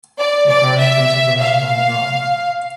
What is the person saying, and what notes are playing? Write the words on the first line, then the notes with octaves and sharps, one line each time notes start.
The current principal is Ron Brown.
D5
D5
E5
F5